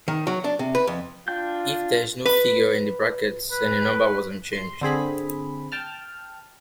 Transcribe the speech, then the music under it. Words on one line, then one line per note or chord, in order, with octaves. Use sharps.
If there is no figure in brackets then the number was unchanged.
D#3
F#3
D4
C3
B4
F2
D4 F4 G5 G6
B4
B4
C6
D3 C4 G#4 B5
G5 A5 F6